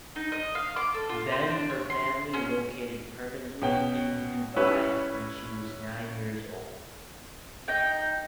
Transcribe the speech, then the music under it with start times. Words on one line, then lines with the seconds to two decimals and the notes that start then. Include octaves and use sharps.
Then her family located permanently in Dubai when she was nine years old.
0.16 D#4
0.32 D#5
0.55 F5
0.76 D6
0.94 A4
1.09 F4
1.32 C5
1.50 D4
1.70 C#5
1.90 C6
2.34 C#4
3.62 B2 C#4 G5
4.56 G3 C#4 E4 B4 C#5
7.68 D#4 G5